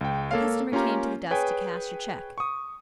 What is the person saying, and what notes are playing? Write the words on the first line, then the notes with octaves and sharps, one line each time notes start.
A customer came to the desk to cash a cheque.
C#2 G5
A#3 A4 C#5 F5
A#3 C#4 F4 G4 A#5
G#4 B4 C#5 G5 G#5
C#6 D#6